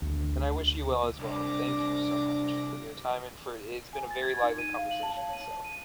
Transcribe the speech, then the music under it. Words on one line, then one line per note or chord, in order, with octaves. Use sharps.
And I wish you well, as well. Thank you so much for your time and for it's been a very lively conversation, so
D2
C2 D4 D6 A#6
G#5
A6
G#6
D#4
D#7
F5
F#7
A5
C#5
D#7
D#7